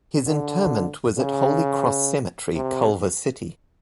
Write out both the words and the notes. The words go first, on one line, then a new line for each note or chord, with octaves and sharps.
His interment was at Holy Cross Cemetery, Culver City.
D3
C#3
C3